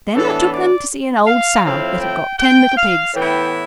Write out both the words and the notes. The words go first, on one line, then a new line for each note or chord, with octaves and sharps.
Then I took them to see an old sow that had got ten little pigs.
A2 E3 B3 D4 A4
D5
F5
A2 F3 C4 E4 F5
G5
G5
F5
A2 E3 B3 E4 G5